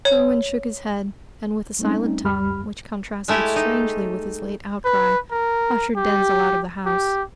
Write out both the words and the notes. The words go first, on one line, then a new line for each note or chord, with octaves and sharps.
Berwin shook his head, and with a silent tongue, which contrasted strangely with his late outcry, ushered Denzil out of the house.
C#5
G3 A3 C4 C#4 D#4
C#2 F#2 G3 G4 B5 F6
G#3 A3 E4 G4
D#4
B4
A#4
G4
G4